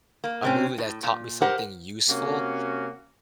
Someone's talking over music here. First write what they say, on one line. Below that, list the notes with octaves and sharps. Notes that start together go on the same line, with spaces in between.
a movie that taught me something useful,
A#3
C3 C4 C#4
A2
A#2
G4 A#4 C5 F#5
C3 A#3 C#4 F#4